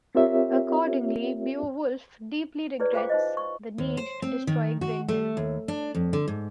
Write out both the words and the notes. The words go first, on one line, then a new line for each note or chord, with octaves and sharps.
Accordingly, Beowulf deeply regrets the need to destroy Grendel.
C4 F4 G4 A#4 C#5 E5
E4 G#4 B4 C#5 D5
F4 G#4 C5 F5 G5 D6
D#4 C5 D#5
C#6
D#2
C5
C4
D#3
F#4
A3
D#2
D4
F2
D3
G#2